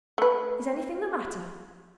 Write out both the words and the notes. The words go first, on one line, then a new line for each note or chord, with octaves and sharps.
Is anything the matter?'
A3 B4